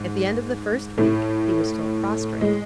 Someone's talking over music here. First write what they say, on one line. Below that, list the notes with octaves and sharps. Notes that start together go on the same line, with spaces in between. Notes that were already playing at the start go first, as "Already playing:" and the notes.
At the end of the first week he was still prostrate.
Already playing: G#2
A2 A3
G#3